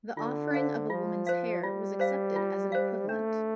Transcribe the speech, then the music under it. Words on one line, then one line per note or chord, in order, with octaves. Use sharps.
The offering of a woman's hair was accepted as an equivalent.
D3 F4
C5 F5
F3 F4
C5 F5
G3 F4
C5 F5
F4
C5 F5
A3 D4